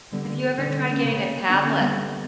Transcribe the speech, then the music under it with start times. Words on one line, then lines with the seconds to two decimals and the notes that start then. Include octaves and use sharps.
Have you ever tried getting a tablet?
0.12 D3 G3 B3
0.58 D3 D4
0.70 C#4
0.82 B3
0.92 A#3 C#4
1.04 C#3
1.50 D3 B3 D4
1.65 A#3 C#4
1.80 G3 B3
1.96 G3 B3